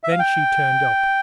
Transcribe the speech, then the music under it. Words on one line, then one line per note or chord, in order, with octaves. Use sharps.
Then she turned up.
E5
F5
G5